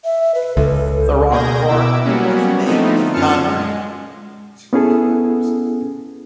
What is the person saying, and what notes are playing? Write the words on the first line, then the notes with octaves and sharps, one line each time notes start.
The rock part was made of concrete.
E5
B4
C#2 A4
B2 A#3 G#4 G6 G#6 A#6
B2 E4 D6 E6
F#3 G3 A#3 B3 C#4 F#4
D3 F3 A3 B3 C4 D#4
F#2 C#4 F4 A5 F6 C#7
G#3
B3 C#4 E4 G#4 A4